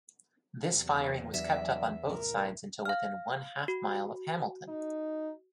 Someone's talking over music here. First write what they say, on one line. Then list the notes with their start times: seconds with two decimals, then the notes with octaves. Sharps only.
This firing was kept up on both sides until within one-half mile of Hamilton.
0.74 E2 C3 F#3
1.34 F#3 G3 D4 D5 E5
2.09 C2 A2 A#4
2.85 F5 F6
3.68 F#4
4.68 D#4